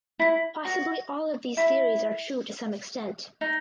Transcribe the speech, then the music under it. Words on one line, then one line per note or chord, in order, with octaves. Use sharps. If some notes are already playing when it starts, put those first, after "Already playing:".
Possibly all of these theories are true to some extent.
E4
F#4
E4
D#4